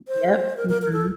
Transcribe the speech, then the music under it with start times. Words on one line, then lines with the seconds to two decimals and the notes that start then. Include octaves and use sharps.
Yep. Mhm.
0.08 C5
0.57 A#4
0.69 A#4
0.82 A#4
0.93 A4